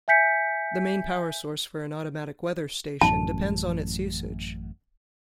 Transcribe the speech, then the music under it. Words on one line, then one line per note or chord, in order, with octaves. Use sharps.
The main power source for an automatic weather station depends on its usage.
E5 G#5 G6 B6 C#7
A1 F#2 A5